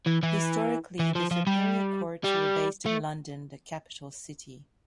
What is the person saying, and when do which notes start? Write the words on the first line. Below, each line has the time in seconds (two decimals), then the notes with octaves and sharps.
Historically, the superior courts were based in London, the capital city.
0.07 E3
0.23 E3
1.00 E3
1.15 F3
1.31 F3
1.47 G3
2.24 G3
2.86 A3